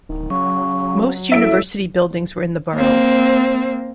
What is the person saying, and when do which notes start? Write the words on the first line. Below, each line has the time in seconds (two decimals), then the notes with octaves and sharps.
Most university buildings were in the borough.
0.09 D1 D#3
0.30 C#3 F#3 C#6
1.32 F#1 E4 A4 E5 D7
2.75 A#3 C4